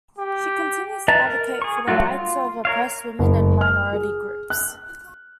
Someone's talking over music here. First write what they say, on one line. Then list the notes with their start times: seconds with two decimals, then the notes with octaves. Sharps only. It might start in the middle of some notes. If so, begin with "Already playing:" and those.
She continues to advocate for the rights of oppressed women and minority groups.
0.18 G4
1.08 B4 D#5 E5 A5 A#5
1.25 A#4
1.62 G#4 C#6
1.88 F#3 G3 A3 F4 F#4
2.08 F4
2.65 A#4 C#5 F5
3.19 F#1
3.61 F6
3.93 G#4
4.50 F#6